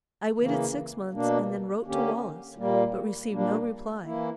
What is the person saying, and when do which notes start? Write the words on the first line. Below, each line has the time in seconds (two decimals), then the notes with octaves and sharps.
I waited six months and then wrote to Wallace, but received no reply.
0.40 C#3 E3 A#3
1.13 B2 A#3 D4
1.86 D3 A#3 C#4 G4
2.58 A#2 G3 A#3
3.31 A#2 G3 A#3 D4
4.04 E3 A#3 E4